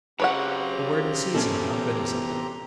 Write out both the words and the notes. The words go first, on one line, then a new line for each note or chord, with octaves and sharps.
A word in season, how good is it?
C#3 F#3 C4 G4 B4 C#5 F#5 A#5
E2 C3 C#4 A4